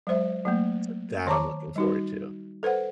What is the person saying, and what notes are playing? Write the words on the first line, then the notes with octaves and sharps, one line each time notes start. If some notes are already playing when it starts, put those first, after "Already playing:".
So, that I'm looking forward to.
F#3 G#3 C5 E5
F#3 A3 A#3
D#3 C#5 A5 A#5 C#6 D6
G3 D#4 F#4
A4 B4 C5 F#5